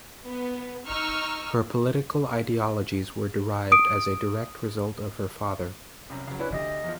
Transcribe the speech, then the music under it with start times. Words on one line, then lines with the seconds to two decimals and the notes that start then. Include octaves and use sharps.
Her political ideologies were derived as a direct result of her father.
0.24 B3
0.86 D#4 C#6 E6 F6
3.72 D#6 D7
6.10 C2 F#2
6.27 C#2 F#3
6.39 C#4 D4 E4 B4
6.52 D2 G4 D#5
6.84 E2 F3